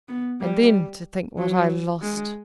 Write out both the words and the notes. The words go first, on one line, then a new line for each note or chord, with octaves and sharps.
And then to think what I lost!
B3
G3
F#3
G#3